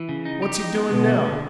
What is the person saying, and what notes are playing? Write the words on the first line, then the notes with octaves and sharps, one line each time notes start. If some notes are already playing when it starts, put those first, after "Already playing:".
"What's he doin' now?"
Already playing: E3
C#3
D#4
G4
D#4
B3
B2 D3
A#3
D3